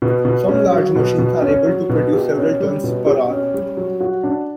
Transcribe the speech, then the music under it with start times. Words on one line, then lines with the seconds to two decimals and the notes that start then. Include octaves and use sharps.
Some large machines are able to produce several tons per hour.
0.02 B2
0.25 B2
0.49 C#4
0.72 F#3
0.95 B2
1.18 B2
1.42 C#4
1.66 F#3
1.89 B2
2.13 G4
2.36 C#4
2.60 G3
2.84 B2
3.06 G4
3.30 C#4
3.54 G3
3.77 F#3
4.00 F#4
4.23 D4